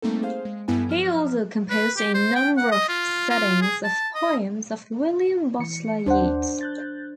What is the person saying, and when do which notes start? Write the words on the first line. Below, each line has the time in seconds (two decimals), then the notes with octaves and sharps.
He also composed a number of settings of poems of William Butler Yeats.
0.02 G3 A3 A#3 C4 D#4 A4
0.22 G#4 C5 F5
0.45 G#3
0.68 G2 G3 B3 E4 A4 G#5
0.89 F3 F#3 F6
1.70 B4
1.97 G4
2.14 C5
2.36 G5
2.57 F#5
2.71 D#5
2.89 F4
3.30 F4
3.62 G#4
3.84 A5
4.15 D#5
5.59 E3 C#7
6.06 D#2 D4 C5 F#5
6.61 F#6 G6 A6